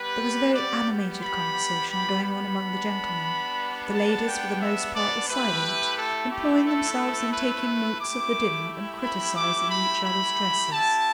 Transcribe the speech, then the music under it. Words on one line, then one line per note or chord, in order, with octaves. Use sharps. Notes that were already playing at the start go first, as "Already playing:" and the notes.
There was a very animated conversation going on among the gentlemen; the ladies, for the most part, were silent, employing themselves in taking notes of the dinner and criticising each other's dresses.
Already playing: G3 B3 G4 B4
D5
B5
B5
B5
G3 B3 D4
A5
G5
E5
D5
A3 E4 G4 B4
A4
G4
A4
B4
A3 E4 G4 D6
B5
D6
B5
B5
B3 E4 G4 A5